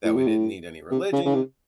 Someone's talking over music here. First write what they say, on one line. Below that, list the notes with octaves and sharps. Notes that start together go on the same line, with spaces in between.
that we didn't need any religion,
A2
C3
A2
C3
C#3
C#3
C3